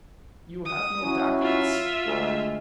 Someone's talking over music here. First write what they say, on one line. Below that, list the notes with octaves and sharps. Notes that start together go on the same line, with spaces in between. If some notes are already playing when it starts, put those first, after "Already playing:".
"You have no documents?"
D#6
F#3 C#4 E4
F4 E5
D2 G#3